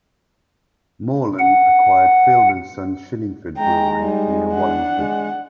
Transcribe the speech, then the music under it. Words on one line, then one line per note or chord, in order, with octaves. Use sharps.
Morland acquired Field and son Shillingford brewery near Wallingford.
F#5
G#3 G5 A#5
G3 D#4
D4 F#5
G#3